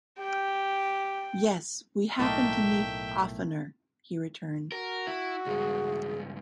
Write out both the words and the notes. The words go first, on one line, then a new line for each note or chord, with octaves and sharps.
"Yes, we happened to meet oftener," he returned.
G4 G5
B1 A2 A3 A#3 D#4 E5 G5
F#4 A#4
E4
C#2 G2 G#4